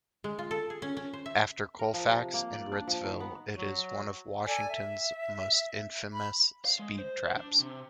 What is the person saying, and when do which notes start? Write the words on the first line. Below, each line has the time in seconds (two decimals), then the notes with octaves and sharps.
After Colfax and Ritzville, it is one of Washington's most infamous speed traps.
0.24 G#3
0.39 F4
0.51 A4
0.70 G#4
0.82 C#4
0.97 C#4
1.13 C5
1.26 E5
1.79 A#4
1.94 F3
2.06 C3
2.34 A#3
2.53 D5
2.72 D4
2.88 F3
3.05 D#3
3.20 B3
3.57 F#3
4.47 A4 D5 G#5
4.69 E5
6.12 B5
6.65 F5
6.79 G#3
6.99 C5
7.37 D4
7.60 C3